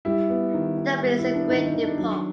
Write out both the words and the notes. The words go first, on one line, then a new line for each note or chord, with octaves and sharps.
Dublin is the great depot.
G3 E4
B3
D#3
D#3
G3
E4
B3
D4
D#3 D#4
D#4
D#3
D4
F#3